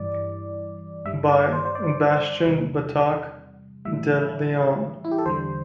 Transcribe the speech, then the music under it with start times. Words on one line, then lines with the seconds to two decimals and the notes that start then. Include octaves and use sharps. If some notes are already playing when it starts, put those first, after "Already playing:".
By:Bastian Batac De Leon.
Already playing: G2 E3 G3 D5
1.05 G2 G3 E5
1.29 D5
1.53 C5
1.65 C5
1.75 D5
2.45 E2 C3 G3
3.85 A2 E3 G3 E5
5.04 E4
5.11 G4
5.18 A4
5.26 E2 D3 G3 C5